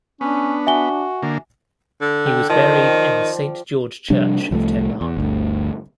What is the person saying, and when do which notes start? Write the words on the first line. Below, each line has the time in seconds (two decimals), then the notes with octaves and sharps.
He was buried in the Saint George Church of Tehran.
0.21 B3 C#4 D4
0.67 F#4 E5 G#5 G7
1.23 D3 A#3
2.02 D3
2.26 G5
2.49 D#3 F3 D5
4.10 C3 F3 G3 D4
4.51 C2 F3 G3 A3
5.01 E2
5.17 G1 D2